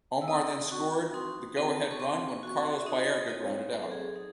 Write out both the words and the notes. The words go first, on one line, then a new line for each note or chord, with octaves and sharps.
Omar then scored the go-ahead run when Carlos Baerga grounded out.
E6
C4 D#6
F#4 C#6
D#4 C6
C4
A5
C#6
C4 C6
C#6
F#4 C#6
C6
E5
D#4 D#5
C4 C#5
F#3 C5
A4
G#4
A4
D#4 G#4